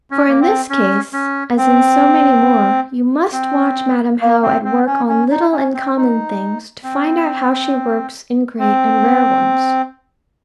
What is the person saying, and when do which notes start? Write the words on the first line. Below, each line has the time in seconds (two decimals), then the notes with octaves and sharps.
For in this case, as in so many more, you must watch Madam How at work on little and common things, to find out how she works in great and rare ones.
0.11 C#4
0.28 A#3
0.41 C4
0.70 C#4
1.13 C#4
1.57 C4
3.33 C4
4.21 A#3
4.43 C4
4.64 C4
4.86 C#4
5.09 C#4
5.31 D#4
5.52 C#4
5.74 C4
5.97 D#4
6.84 C4
8.59 C4